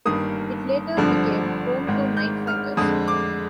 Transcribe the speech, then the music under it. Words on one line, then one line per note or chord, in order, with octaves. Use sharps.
It later became home to night fighters.
G1 G2 D#3 A#3 D#6
G#1 G2 D3 F3
G#1 G#2 D#3 G#3
G6
F6
F2 D3 G#3 D#6
D6